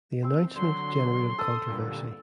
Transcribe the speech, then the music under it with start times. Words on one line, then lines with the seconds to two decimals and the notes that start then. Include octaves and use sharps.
The announcement generated controversy.
0.22 C4 C5
0.56 D3 F#3 C6
1.38 A4 D#6
1.67 G2 A#2 D3